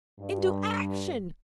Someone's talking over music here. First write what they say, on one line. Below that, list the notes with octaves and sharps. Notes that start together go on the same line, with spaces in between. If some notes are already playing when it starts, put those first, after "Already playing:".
Into action!
G2